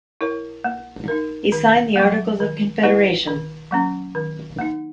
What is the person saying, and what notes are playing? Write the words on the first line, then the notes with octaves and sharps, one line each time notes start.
He signed the Articles of Confederation.
E4 A#4 C#5
A#3
D#4 A#4
D#3
F#3 A#3
D#3
A#3 E4 B4
D#3
F#3 A#3 C#4
D#3
A#3 D#4